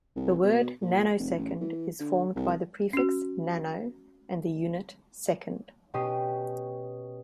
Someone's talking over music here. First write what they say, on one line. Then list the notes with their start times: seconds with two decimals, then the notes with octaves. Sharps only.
The word nanosecond is formed by the prefix "nano" and the unit "second".
0.16 C2
0.43 B2
0.81 A#2
1.19 F1
1.38 A1
1.61 E3
2.00 D3
2.36 C2
2.93 C#4 F#4
5.94 B2 C#4 G4 D#6 C7